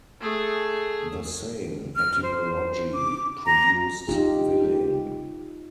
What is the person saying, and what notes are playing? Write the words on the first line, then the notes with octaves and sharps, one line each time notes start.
The same etymology produced villein.
A3 G#4
F6
C5
D6
A#5
D#4 F4 G4